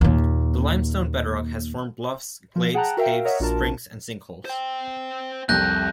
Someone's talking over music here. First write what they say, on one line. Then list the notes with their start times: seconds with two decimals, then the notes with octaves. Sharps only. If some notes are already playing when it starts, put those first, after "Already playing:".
The limestone bedrock has formed bluffs, glades, caves, springs, and sinkholes.
0.01 D#2 A#2
2.56 F3
2.74 G#4 F#5 G5 A5 A#5 F#6
2.97 F#4 A#4 E5 F5 G5
3.25 A#4 C#5 D#5 E5 F#5
3.40 A#1 D4 F4 F#4 A#4 A5
4.45 C5 G5
5.49 C2 F2 C3 G3 F#6 G6 A#6